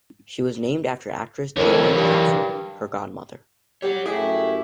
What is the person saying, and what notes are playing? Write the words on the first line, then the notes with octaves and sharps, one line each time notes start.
She was named after actress Joan Crawford, her godmother.
F2 D3 E3 A#4 C#5
G2
G3 C#5 F#5
F#2 A3 E4 G4 G#4